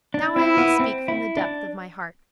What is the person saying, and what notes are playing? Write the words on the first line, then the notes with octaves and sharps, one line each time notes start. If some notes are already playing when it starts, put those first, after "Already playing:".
But now I will speak from the depth of my heart.
D4
C4 E4
B3
C4
E4
D4